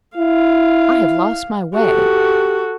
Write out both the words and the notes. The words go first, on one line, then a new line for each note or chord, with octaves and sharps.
'I have lost my way.
E4 F5
F#4 G4 A4